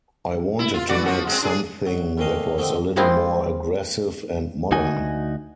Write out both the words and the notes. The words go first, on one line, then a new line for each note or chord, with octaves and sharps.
I wanted to make something that was a little more aggressive and modern.
E4
F4
E3 F#4 D5
F3 F#4
G#3 A3 C4
D4 G#4
F#3
F2 A#2 D#3 A3 D#5 F5
D3 D#3 F3 A3 C4 D#4
F3 G#3 A#3 C4 E4 F4
D2 D#4 F#4 G#5